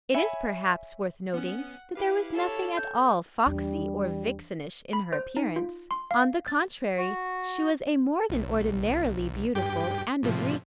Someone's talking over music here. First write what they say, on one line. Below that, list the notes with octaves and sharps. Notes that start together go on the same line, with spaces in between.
It is perhaps worth noting that there was nothing at all foxy or vixenish in her appearance. On the contrary, she was a more than ordinarily beautiful and agreeable woman.
C#5 E5 G#5 B5
B3 C#4 F#5
E4 G4 B4 F5
A4 C#5
G6
E2 G3 D4
B5
C5
D#4
F4
C6
F5
A6
F#4
B1
G2 G4 G5
A2 C3 F3